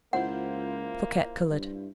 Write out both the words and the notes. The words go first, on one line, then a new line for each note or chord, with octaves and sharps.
Fouquet colored.
C#2 A#3 E4 F4 C5 F#5
G2